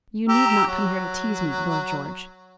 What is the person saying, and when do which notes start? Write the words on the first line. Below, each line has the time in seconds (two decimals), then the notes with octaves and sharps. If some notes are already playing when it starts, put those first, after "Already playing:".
"You need not come here to tease me, Lord George."
0.28 G4 A#5 E6
0.67 F#3